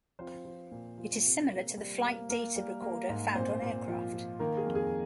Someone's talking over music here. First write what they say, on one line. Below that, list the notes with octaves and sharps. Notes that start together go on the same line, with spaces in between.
It is similar to the flight data recorder found on aircraft.
F3 C4 C5
F3
A#2
F3
C3
A#3
G3
A#3
A#3 A#4
G3
A#3
G#2
A#2 C4 C5
A#2
F3
F3
D#3 A#3 A#4
G#4
F2
G#4